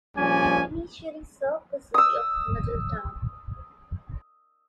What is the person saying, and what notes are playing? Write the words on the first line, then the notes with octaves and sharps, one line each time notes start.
It initially served the city of Middletown.
A#1 F3 G3 C#4 D5 G#5
D#6 E6